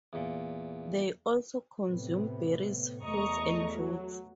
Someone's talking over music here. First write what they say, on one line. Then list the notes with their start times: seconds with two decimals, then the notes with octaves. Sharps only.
They also consume berries, fruits, and roots.
0.13 E2 A#2
1.86 A2 C3 B3
3.04 E2 A3 D#5 A#5 C#6
3.74 F#3